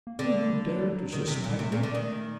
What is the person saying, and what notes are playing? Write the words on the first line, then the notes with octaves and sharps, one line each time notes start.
"Do you dare to suspect me?"
A#3
D3 C4
A#3
G3
F#3
G3
F#3
D3 D#3
C3 D#3
F#3
A#2 G3
C3 A3
A#2
D3
D#3